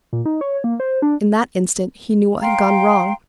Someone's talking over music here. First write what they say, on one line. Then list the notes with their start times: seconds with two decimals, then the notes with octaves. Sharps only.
In that instant, he knew what had gone wrong.
0.13 A#2
0.25 D#4
0.41 C#5
0.64 A#3
0.80 C5
1.02 D4
2.41 F5 G5 A#5 C6